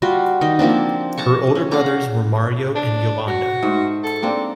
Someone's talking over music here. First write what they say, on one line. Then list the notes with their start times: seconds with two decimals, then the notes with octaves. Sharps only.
Her older brothers were Mario and Yolanda.
0.02 G3 F4 F#4
0.41 D#3 D#4
0.59 F3 A#3 C4 D4
1.18 A5 A#5 C#6
1.55 C#4
1.72 F5 F#5 A#5
2.75 D4
3.28 F#4
3.62 G#2 A3 C5
4.03 A4
4.22 A#3 C4 D4